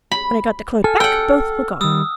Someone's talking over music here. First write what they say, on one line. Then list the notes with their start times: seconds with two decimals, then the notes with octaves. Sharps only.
When I got the cloak back both were gone.
0.12 B5
0.84 A4 G#5 F6
1.00 F#5 G5 E6
1.81 D#3 G3 D#6 E6